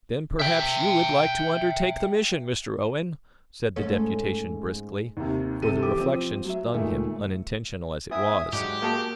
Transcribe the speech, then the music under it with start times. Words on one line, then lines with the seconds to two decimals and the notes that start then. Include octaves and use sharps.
"Then perhaps you would like to undertake the mission, Mr. Owen," said the Deputation briskly; for the reflection stung him, unintentional as it was.
0.39 E5 G5
3.76 G#2 A3 C#4
5.17 D#2 C3
5.62 C3 A4 D#7
5.82 E3 G4 D6
6.00 F3 C4
6.45 F#3 E5
6.74 A#2 D#3 G#3 A3
8.11 B3 E4 E5 G5 G#5 D#6
8.53 G#2 F#3 G#3 D4 G4 F#6 C#7
8.82 A#3 F#4 G#4 A#4 A5 A#5